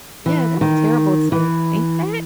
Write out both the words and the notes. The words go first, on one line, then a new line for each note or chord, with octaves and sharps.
Yeah, that's terrible to think that.
E3
D#3
E3